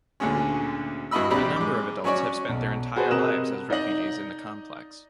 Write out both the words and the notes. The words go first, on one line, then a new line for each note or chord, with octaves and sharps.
A number of adults have spent their entire lives as refugees in the complex.
D2 A#2 D3 G#3 C#4
G2 E4 F#4 D#5 B5 E6
A#1 C4 D4 G4 A#5 B5
G#2 D6
F#3 C#4 F#4 C#5 D5
B1
F#4 G#4 B4 C5 A5
C3 A#4 D#5 D#6 F#6 E7
D#4 D5 D#5 F#7